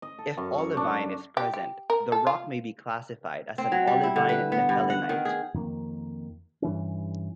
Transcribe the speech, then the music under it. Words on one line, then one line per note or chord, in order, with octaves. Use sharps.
If olivine is present, the rock may be classified as an olivine nephelinite.
D#5
A4
F#2
C#5
D4
G4
G4
A#4
A4
F4
C4
F#3
G3
E4
D3
B4
B3
G2
F#5
D#3
G#4
F2 D#3 A#3
G2 E3 C#4